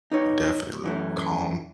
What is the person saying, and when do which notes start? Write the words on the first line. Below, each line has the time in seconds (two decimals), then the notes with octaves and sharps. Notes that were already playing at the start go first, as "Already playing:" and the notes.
Definitely calm.
0.12 D#4 B4 C#5
0.84 F#2 E3 A3